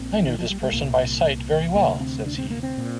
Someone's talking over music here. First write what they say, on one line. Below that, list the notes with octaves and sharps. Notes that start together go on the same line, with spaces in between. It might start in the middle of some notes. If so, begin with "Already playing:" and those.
"I knew this person by sight very well," says he.
Already playing: A#1 A#2 C4
D#3
F3
G3
G#3
C2 A#2 A#3
D2 C3 A#3
C4
D4
C4
A#3
C4
A#2